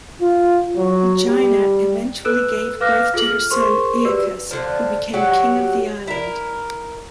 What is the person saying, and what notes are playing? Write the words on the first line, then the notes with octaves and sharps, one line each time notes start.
Aegina eventually gave birth to her son Aeacus, who became king of the island.
F4
F#3
G3
A4 B4 E6 F#6
B4 F5 D6 F6 F#6 A#6
F4 G#4 A4 F#7
F6
G#4 A#4 C5 C6 C#6
F#4 G4 B4 D5 E6
D3 F3
F#3 F#4 G4
E4 A#4